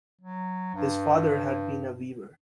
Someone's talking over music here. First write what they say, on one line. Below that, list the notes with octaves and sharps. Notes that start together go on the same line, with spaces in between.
His father had been a weaver.
F#3
G2